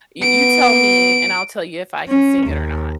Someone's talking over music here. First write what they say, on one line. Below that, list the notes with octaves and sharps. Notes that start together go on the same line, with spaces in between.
You you tell me, and I'll tell you if I can sing it or not.
B3 D7
C#4
D#2